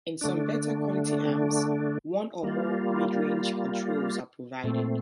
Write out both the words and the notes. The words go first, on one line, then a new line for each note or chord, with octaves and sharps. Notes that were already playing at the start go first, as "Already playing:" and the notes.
In some better quality amps, one or more midrange controls are provided.
D3 A3 D4
G3 A#3 F4
A#2 A3 C4